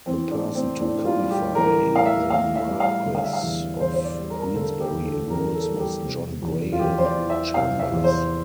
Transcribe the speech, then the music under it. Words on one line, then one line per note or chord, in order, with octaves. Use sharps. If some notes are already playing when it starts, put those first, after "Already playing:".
The person to codify the Marquess of Queensberry Rules was John Graham Chambers.
E3 C4
D4
A2
C4
A2 D4
F4
G3
G4
E3 A#4
A2 F5
E5
A2 F5
E5
G3
F5
D3
F5
E5
F5
E2
E2 C5
C5
D5
G3
A#4
D3 A4
G4
E2
A4
E2 A#4
A4
G3
G4
C3
E2
F4
E2 G4
C5
D5
E3
E5
C3 F5
E5
E2
C5